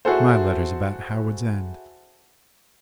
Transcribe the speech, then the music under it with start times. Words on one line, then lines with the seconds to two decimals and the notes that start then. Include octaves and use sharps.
My letter's about Howards End.
0.05 E4 F#4 G#4 A4 C5